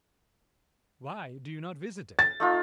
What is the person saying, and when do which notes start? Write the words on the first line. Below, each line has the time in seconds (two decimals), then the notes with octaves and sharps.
Why do you not visit her?
2.19 A6
2.40 A3 D#4 F4